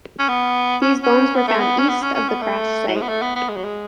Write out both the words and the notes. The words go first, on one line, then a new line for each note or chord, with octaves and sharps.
These bones were found east of the crash site.
C#4
B3
C#4
C#4
B3
A3
B3
C#4
B3
C#4
C#4
B3
A3
F#3
G#3
B3
A3
B3
B3
G#3
F#3
G#3